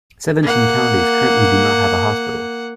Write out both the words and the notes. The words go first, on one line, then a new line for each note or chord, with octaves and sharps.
Seventeen counties currently do not have a hospital.
A#3 F#5